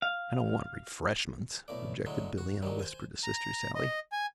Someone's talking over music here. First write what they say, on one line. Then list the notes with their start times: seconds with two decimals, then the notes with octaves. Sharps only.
"I don't want refreshments," objected Billie, in a whisper to Sister Sallie.
0.02 F5
1.68 B1 A2 D5
2.06 A2 D3 F#3 G#3
2.38 F#4
2.62 D#3 F#3 G3
2.79 C5 G#5
3.24 A#5
3.75 D#5
4.12 G#5